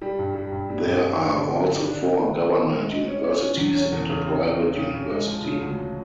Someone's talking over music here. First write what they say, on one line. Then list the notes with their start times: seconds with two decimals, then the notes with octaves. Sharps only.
There are also four government universities and a private university.
0.02 G3
0.19 G2
0.35 G3
0.52 G2
0.70 G3
0.87 G2
1.03 D4
1.20 D4
1.37 D3
1.54 D3
1.71 D4
1.89 D4
2.05 D#4
2.23 D#3
2.39 C4
2.56 D#4
2.72 G#3
2.90 D#4
3.07 C#4
3.24 C#4
3.40 C#4
3.57 E2
3.74 C#4
3.92 E2
4.09 C#3
4.26 C4
4.42 C#3
4.60 C4
4.76 C#3
4.94 C#3
5.10 G#3
5.27 F3
5.45 C#3
5.61 D2
5.78 F3